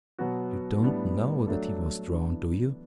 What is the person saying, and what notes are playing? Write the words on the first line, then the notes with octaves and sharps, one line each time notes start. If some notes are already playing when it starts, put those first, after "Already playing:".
You don't KNOW that he was drowned, do you?
B2 F#3 B3 F#4
A2 G3 B3 D4
F#3 A3 D4 A4
E3 B3 D4